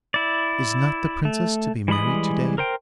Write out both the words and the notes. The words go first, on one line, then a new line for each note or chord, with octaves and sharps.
'Is not the princess to be married to-day?'
E4 D5
A3
E3 G3 G#3 B5 D#6
A#4 C5 G5